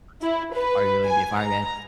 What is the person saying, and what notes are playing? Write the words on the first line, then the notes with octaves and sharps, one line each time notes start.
honestly, are you really gonna be a fireman?"
E4
B4
G#5
A#5